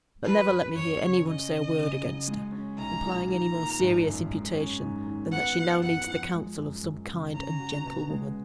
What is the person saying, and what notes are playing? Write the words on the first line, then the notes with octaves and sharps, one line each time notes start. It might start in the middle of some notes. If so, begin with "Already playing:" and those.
But never let me hear any one say a word against her, implying any more serious imputation than that she now needs the counsel of some kind and gentle woman.
F3 B4
F#2
F#2 C#5
C#3
C#4 D#5
C#3
C#3
F#3
G#3
C#4
B1 A#5
A#2
D#3 A#5
A#3
G#1
F#2
G#3
C#4
G#2
D#3
B3 F#5
F4
F#2 F#5
F3
G#3
F#2
F#2
C#3
C#4 A#5
F#4
B2
G#3